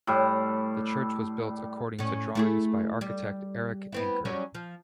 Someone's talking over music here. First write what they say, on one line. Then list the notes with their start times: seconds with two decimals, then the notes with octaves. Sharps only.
The church was built according to drawings by architect Erik Anker.
0.07 A2 G3
1.99 A2 C#4
2.35 A3 E4 G#4
3.01 G3
3.92 B3 C4 E4
4.25 F#3 G3 C#4
4.55 F3